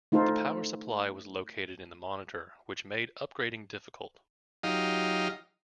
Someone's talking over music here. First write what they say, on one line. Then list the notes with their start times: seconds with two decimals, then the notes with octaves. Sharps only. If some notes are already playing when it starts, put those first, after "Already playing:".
The power supply was located in the monitor, which made upgrading difficult.
0.12 A3 D#4 F4 A4 C5
4.63 F#3 D#4 F4 G4 D#5 F5